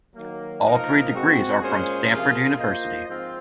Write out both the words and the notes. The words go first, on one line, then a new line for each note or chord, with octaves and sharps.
All three degrees are from Stanford University.
D#3 F#3 A#3
F3 A#3 D#4 A#4
G#3 C4 F#4
A#2 G#3 C#4 G#4 C5
C3 F3 A#3 F4 G#4
A#3 F4 C5 D#5
G#2 F3 C4 F4